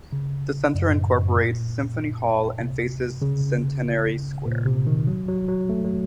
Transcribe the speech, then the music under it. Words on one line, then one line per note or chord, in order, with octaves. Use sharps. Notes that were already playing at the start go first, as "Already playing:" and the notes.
The centre incorporates Symphony Hall and faces Centenary Square.
C#3
F#2
A2
A2
F#2
A#2
C3
C#3
A#2
C3
D#3
F#3
F#3
F#3
A3
F#3